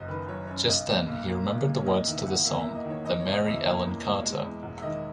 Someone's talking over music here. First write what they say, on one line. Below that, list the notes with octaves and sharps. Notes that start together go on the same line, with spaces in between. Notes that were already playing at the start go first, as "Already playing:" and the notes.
Just then he remembered the words to the song "The Mary Ellen Carter".
Already playing: F#1 F#2 F#3 D#5
D#3 B4
F#3 C#5
F#2 C#5
B1 D#5
A#2
B1
A#3
B1
A#2
C#5
E2 D#5
D#3 E5
E5
E2 F#5
A#3 E5
E5
E2
D#5
D#3
C#5
E2 D#5
B2 C#5
D#5
E2
E5
A#3
E2
B2
G#3
E2
E1
E5
D#3 D#5